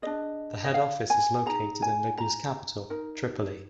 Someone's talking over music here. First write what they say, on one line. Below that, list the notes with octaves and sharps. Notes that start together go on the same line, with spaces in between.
The head office is located in Libya's capital Tripoli.
D4 G#4 D#5
D#5
F5
G#5
D#4 G#4 A#5
G#5
A#5
D#4 A#4